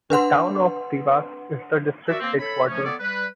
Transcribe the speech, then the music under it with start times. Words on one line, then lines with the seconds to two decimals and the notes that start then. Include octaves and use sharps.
The town of Dewas is the district headquarters.
0.10 D4 B4 F#5 C6
2.08 F#4 A#4 D5 E5
2.21 A#3 C4
2.39 A4 C#5 B5
2.67 F3 A3 C#4
2.83 B3 A4 C#5 D5
3.00 G3 B4